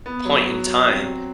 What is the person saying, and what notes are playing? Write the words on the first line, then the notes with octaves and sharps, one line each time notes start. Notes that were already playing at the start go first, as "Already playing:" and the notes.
point in time
B3
F#3
F#4
F#3
C4
F#3